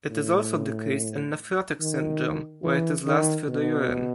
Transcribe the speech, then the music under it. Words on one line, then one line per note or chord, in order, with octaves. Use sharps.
It is also decreased in nephrotic syndrome, where it is lost through the urine.
A2
D#3
E3
D#3
B2